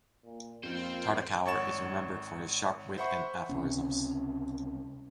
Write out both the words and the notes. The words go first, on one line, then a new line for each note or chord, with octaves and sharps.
Tartakower is remembered for his sharp wit and aphorisms.
A#2
F2 A#3 C4 F4 C5 G6 C#7
G#1 C#5 F#5 C#6 A6 E7
C5 E5 F#5 B5 C#6
C#2 C3 C4 C#4